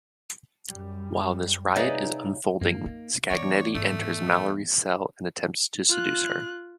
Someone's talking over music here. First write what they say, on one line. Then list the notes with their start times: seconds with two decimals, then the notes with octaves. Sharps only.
While this riot is unfolding, Scagnetti enters Mallory's cell and attempts to seduce her.
0.68 F#2 G3
1.76 C3 D#4 G#4 B4 C#5 D5 E5 F5
2.61 F#2 A#3
2.86 D#4
3.30 E2 C4 D4 C#5 D5
3.75 G#2 A3
5.89 F4 F#6